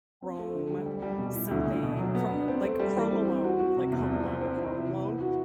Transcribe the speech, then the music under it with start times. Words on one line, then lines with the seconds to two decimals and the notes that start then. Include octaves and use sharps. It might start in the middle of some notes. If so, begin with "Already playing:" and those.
Chrome, something chr like Chrome Alone, like Home Alone, but Chrome Alone
0.22 C4
0.39 A3
0.55 D3
0.70 G3
0.86 G3
1.02 G3
1.18 B2
1.35 E4
1.51 D2
1.68 D2
1.83 B2
1.99 F#3
2.15 B3
2.32 D4
2.48 C4
2.64 A3
2.79 G3
2.96 E3
3.11 C4
3.28 C4
3.44 F#4
3.60 F#4
3.77 C3
3.92 E2
4.08 C2
4.24 C4
4.41 C4
4.57 E4
4.73 C3
4.88 E3
5.05 B3
5.21 F#4